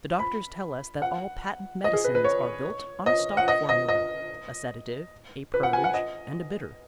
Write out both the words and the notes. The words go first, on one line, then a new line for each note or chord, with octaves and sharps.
The doctors tell us that all patent medicines are built on a stock formula--a sedative, a purge, and a bitter.
B5
F#5
D#5
G#4
B4
B4
C#5
D#5
F#5
D#5
D#5
D#5
B4
F#5
G#5
F#5
D#5